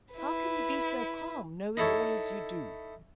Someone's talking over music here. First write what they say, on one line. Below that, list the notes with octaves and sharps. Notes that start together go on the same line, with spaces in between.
"How can you be so calm, knowing all as you do?"
E4 B4
D#4 E4 A4 C#5